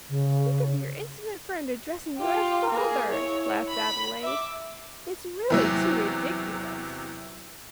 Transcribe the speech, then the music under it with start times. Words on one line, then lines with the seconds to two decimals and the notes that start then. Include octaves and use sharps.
"Think of your intimate friend addressing you as father!" laughed Adelaide; "it's really too ridiculous."
0.09 C#3
2.18 F4 G4
2.70 A#3 G#4
3.12 E4 C#5
3.68 B5
4.23 E5 D6
5.50 E2 C3 F#3